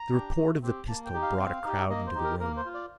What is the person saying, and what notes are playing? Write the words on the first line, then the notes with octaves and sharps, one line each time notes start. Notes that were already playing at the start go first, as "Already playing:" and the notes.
The report of the pistol brought a crowd into the room.
Already playing: A#5
D4 G4
A3
C4 G4
A#3 A5
G5
D#4 G4
F5
C4
D#4 G4
A#3 D#5
C5
D#4 G4
A#4
A#3 A#4
C5
F4
D5